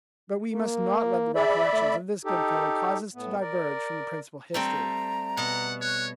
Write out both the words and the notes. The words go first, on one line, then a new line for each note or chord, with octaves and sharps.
But we must not let the recollections of this good fellow cause us to diverge from the principal history.
A#3
G#4 D5 E5 B5
A3
D#4 G4 A4
A2 B3
A#4 D5
G3 A3 C4 A#5
B2 F#5
C#5 F#6